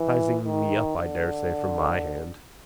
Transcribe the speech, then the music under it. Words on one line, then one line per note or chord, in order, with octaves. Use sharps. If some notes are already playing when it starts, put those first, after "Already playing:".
Sizing me up I daresay from my hand.
Already playing: E3
D#3
D3